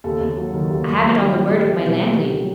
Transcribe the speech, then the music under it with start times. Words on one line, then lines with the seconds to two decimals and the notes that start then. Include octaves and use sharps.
I have it on the word of my landlady.'
0.04 D#2 A4
0.21 D#2
0.37 F#3
0.53 D#3
0.70 D#2
0.86 D#2
1.02 F#3
1.18 D#3
1.35 C2 G5
1.51 C2
1.67 F#3
1.83 B2
2.00 C2
2.16 C2
2.33 F#3